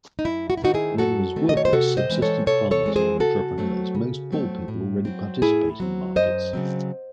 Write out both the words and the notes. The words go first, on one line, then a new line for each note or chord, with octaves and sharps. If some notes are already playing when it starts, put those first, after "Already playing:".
Whether as workers, subsistence farmers or entrepreneurs, most poor people already participate in markets.
D#4
F#2 E4
F#4
E4
D#3 A3 C4 D#4 F#4
E4 G#4
F#2 F#4 A4
D#3 A3 C4
D#5
C#5
C5
C3 F#4 A4
C5 D#5
E3 G#3 C4
A4 C#5
C3 A4 C#5
A4 C#5
E3 G#3 C4
G#4 C5
C#3 F#4 A4
F#3 A3 C4
C#3
F#3 A3 C4
A2
F#3 C4
A2 E4 G#4
F#3 C4
F#2 C5 D#5
C#3 F#3 C4